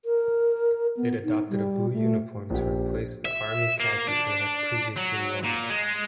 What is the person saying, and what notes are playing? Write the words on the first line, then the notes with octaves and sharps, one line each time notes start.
It adopted a blue uniform, to replace the army khaki it had previously worn.
A#4
B3
D#4
G3
A3
A#1 G4
E5
A#3
D4
F#3
A#2
G#3